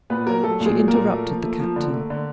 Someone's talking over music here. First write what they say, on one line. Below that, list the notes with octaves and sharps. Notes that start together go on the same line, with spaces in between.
She interrupted the Captain.
A#2 B3 B4
F#3 A#3 A#4
F#3 A3 A4
A#2
G#3 G#4
F#3
A#3 A#4
A#2
A3
F3
A3
F3
D3
A3
D3